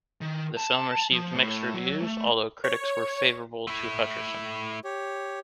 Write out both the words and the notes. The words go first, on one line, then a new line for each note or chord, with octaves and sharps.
The film received mixed reviews, although critics were favorable to Hutcherson.
D#3
A5
F3
A2
F#3
A3
C#5
A3 E4
G4 C#5